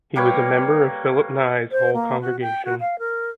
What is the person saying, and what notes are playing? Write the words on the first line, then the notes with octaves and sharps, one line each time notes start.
He was a member of Philip Nye's Hull congregation.
G3 A#3 B4 C#5
C5
A#3
F#4
G5
F#4
F5
A#4